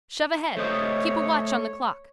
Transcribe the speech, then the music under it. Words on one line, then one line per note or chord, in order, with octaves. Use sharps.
Shove ahead. Keep a watch on the clock.
A3 C5 C#5 D#5